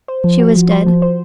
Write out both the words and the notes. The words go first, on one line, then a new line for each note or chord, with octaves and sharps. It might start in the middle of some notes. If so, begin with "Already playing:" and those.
She was dead.
C5
F3
F#4
F3
C5
F3
C5